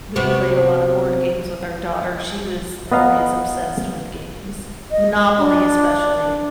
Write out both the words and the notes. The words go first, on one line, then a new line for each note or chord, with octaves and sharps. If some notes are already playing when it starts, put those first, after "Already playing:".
we played a lotta board games with our daughter, she was always obsessed with games. Monopoly, especially.
C3 B3 F#4
B3 D#5 F5 A#5
D#5
D4